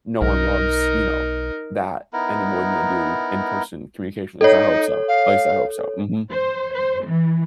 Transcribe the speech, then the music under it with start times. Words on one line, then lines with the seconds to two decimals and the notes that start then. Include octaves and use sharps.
no one loves, you know, that any more than they do in-person communication at least I hope so. At least I hope so, mhm.
0.21 B1 D#4 A#4
2.13 B3 D#4 E4 A#4
4.41 D#4 A4 C#5
5.08 F5
6.31 C5
6.74 C5
7.04 E3